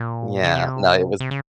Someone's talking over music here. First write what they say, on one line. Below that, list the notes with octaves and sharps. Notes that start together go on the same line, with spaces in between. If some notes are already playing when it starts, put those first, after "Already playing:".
Yeah, no, it was
Already playing: A#2
C#3
C3
C3
C#3